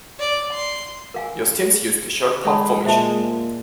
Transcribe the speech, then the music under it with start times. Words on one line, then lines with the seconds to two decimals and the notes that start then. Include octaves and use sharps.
Yost's teams used the short punt formation.
0.20 D5
0.54 C6
1.14 A#4 F5 G#5
2.45 G#3 C#5 A5 B5
2.84 A#2 C5 E5 A5